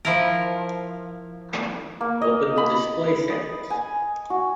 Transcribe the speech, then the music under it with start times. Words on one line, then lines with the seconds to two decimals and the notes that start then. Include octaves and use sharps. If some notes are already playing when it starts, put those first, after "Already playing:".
Open the display settings.
0.05 F3 E4 A#4
2.01 A#3
2.21 D#5
2.57 B5
3.30 D#6
3.70 G#5
4.30 F#4